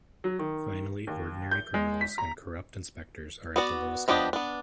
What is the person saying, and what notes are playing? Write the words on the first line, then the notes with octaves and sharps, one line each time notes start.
Finally ordinary criminals and corrupt inspectors are at the lowest level.
F#3
D#3
D#2
G6
G#3
B6
A#5
B3 F#4 D5
F3 B3 D4 G4 D#5
B3 D4